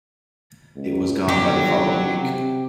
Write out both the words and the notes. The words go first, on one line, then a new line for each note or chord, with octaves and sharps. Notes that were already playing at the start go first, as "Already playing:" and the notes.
It was gone by the following week.
C#2
G1 F#3 G4
C3